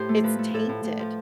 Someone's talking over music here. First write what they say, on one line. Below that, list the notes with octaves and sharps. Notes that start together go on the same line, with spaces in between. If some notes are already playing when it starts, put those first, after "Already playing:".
it's tainted
Already playing: A2 G4 C5
A3
F3 B4
A3
A2 A4
A2
A2
F3